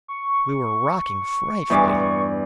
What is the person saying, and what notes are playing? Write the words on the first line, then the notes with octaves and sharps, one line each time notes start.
We were rocking frightfully.
C#6
E2 G2 D6